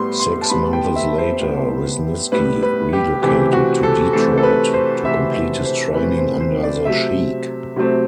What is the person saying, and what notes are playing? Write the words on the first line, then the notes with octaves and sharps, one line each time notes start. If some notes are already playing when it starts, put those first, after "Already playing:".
Six months later, Wisniski relocated to Detroit to complete his training under the Sheik.
Already playing: A2 G3 B3 C6
C6
A5
A2 G3 B3 B5
G5
E5
C5
A2 G3 B3
A2 G3 B3 B4
B4
G4
C3 E3 A3 C4 G4
F#4
A4
C3 E3 A3 C4 A4
A4
B4
C5
C3 E3 A3 C4 E5
E5
C5
C3 E3 A3 C4 B4
C5
C5
D5
C3 F#3 A3 C4 E5
C3 F#3 A3 C4